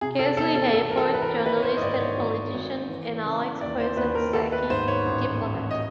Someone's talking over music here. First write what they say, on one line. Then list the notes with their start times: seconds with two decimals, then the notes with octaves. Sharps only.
Casely Hayford, journalist and politician; and Alex Quaison-Sackey, diplomat.
0.01 C3 G#4
0.19 A4
0.37 E2 A4
0.56 A4
0.73 E1 A4
0.91 A#4
0.97 A4
1.10 E3 B4
1.22 A#4
1.45 D#3 B4
1.56 C#5
1.63 C5
1.77 D#5
1.82 G#2 D5
1.99 C#5
2.18 G#1 C#5
2.54 G#1
2.90 E3
3.25 C#3
3.61 D#2 D5
3.80 C5
3.97 D#2 B4
4.15 A#4
4.33 D#3 A4
4.52 B4
4.70 G#2 C5
4.88 C#5
5.06 A1
5.41 A1
5.71 D#5